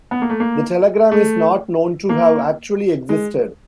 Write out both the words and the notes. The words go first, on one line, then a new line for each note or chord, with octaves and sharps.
The telegram is not known to have actually existed.
B3
A#3
A3
A#3
A3
A#3
G#3